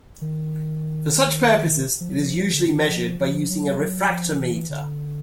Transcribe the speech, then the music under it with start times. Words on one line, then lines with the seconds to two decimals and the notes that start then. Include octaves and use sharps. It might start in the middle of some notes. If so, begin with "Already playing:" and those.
For such purposes, it is usually measured by using a refractometer.
0.21 D#3
2.01 F3
2.09 F#3
2.18 F3
2.54 D3
2.67 D#3
2.78 E3
2.90 F3
3.20 F3
3.50 F#3
3.79 F#3
4.09 F3
4.39 E3
4.69 D3